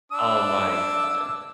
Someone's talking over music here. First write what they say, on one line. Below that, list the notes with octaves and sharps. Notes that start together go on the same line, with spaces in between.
Oh my god.
D4 E6